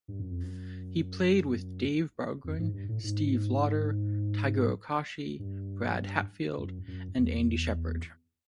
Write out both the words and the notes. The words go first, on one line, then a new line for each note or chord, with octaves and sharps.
He played with Dave Bargeron, Steve Lodder, Tiger Okoshi, Brad Hatfield, and Andy Sheppard.
G2
F#2
F2
F#2
F2
G#2
G2
A2
G#2
G2
F#2
F#2
E2